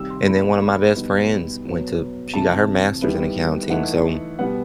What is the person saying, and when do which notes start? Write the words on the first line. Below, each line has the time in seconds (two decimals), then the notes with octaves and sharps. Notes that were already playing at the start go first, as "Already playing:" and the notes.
and then one of my best friends went to she got her master's in accounting, so
Already playing: C3 D#3 G3 E6
0.10 C6
0.27 B2 A3 E4 B5
0.62 B5
0.96 B2 G3 B3 D#4
1.65 B2 F#3 B3
2.34 C3 E3 A3 A5
3.02 D#3 G3 B3 E4
3.70 E3 A3 D#4 F#5
4.39 B2 G3 B3 F#5